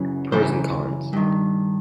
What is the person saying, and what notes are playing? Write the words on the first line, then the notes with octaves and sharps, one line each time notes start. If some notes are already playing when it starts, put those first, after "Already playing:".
Pros and cons.
Already playing: F#2 C#3 E3
F#2 C#3 E3 C5
G2 D#3